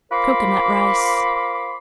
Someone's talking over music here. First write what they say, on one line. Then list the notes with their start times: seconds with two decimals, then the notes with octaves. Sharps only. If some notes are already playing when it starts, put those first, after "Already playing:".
Cocoanut Rice.
0.12 F4 A#4 C5 B5 C6 D6